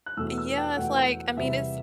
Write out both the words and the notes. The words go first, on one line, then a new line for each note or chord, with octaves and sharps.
Yeah, it's like, I mean, it's
F#6
E2 B2 A3 E6
E6
G5
E2 B2 A3 F#5
E2 C3 G3 E5